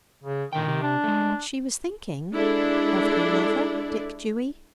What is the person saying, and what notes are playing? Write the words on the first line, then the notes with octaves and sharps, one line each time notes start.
She was thinking--of her lover Dick Dewy?
C#3
A#2 D3 D#3 G5
C3 G4
D4
G#3 A3
G#3 D4 E4 A4 D5